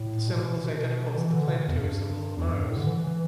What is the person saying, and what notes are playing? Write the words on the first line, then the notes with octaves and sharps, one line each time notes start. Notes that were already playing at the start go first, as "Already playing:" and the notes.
The symbol is identical to the planetary symbol of Mars.
Already playing: A2
B2
B2
E3
D3
B2
E2
G2
E2
G2
A2
D3
E3
E3
E3